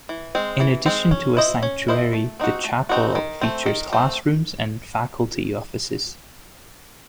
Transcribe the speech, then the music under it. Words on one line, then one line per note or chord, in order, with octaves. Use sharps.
In addition to a sanctuary, the chapel features classrooms and faculty offices.
E3
G#3 C4
E3
G#3 C4
C#4
E4 C5 D#5
C#4
E4 C5 D#5
A3
C4 D#4 F#4
A3
C4 D#4 F#4
D#3
A3 C4
D#3
A3 C4